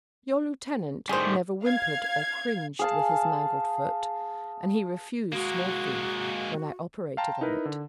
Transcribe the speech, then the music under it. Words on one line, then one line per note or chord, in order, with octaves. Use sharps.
Your lieutenant never whimpered or cringed with his mangled foot and he refused morphine when I operated on it.
A2 D#3 G3 G#4 C5
F5 G#6
G#4 F5 A5
G#3 A#3 F#4
F5 G5 A5 A#5 C6
D#4 E4 A#4 B4
D3